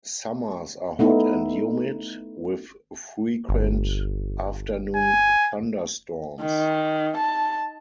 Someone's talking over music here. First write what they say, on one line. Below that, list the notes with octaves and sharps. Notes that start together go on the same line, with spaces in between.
Summers are hot and humid with frequent afternoon thunderstorms.
A3 B3 D#4 E4
G1
G#5
D#3
A5